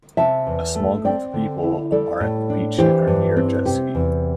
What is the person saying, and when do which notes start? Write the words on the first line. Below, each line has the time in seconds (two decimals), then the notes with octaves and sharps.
A small group of people are at the beach and are near a jet ski.
0.17 C3 E5 A5
0.47 E2
0.75 A3
1.04 C4 D5 G5
1.33 D3
1.63 E4
1.92 G3 A4 D5
2.20 A2
2.50 D4
2.78 E3 G4 C5
3.07 G2
3.37 C4
3.65 C3 G4
3.95 E2